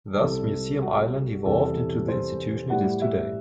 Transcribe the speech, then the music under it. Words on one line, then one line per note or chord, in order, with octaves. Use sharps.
Thus Museum Island evolved into the institution it is today.
C2 C3 G3 A4
F#4
E2 C3 G3 A4
C5
A2 G3 F#5
E5